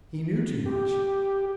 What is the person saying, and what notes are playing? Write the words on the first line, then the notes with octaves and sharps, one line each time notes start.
He knew too much.
G4